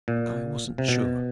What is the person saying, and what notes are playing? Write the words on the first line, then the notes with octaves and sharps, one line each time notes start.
I wasn't sure.
A#2
C3
B2